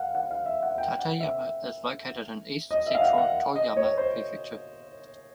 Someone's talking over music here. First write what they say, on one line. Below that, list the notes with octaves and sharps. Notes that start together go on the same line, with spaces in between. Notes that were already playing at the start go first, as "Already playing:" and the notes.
Tateyama is located in east central Toyama Prefecture.
Already playing: F5 F#5
F#5
F5
E5
F#5
G5
F#5
E5
D#5
E5
F5
F#5
F#5
D#5
C#5
C5